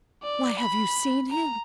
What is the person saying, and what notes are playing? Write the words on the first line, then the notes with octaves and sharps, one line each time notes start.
Why, have you seen him?
D5
B5
A#5